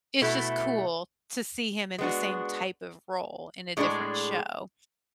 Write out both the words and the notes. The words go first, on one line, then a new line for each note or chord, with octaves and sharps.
it's just cool to see him in the same type of role in a different show,
B2 A3 E4
G#3 B3 D4 F#4
A2 G#3 D4 G#4 D5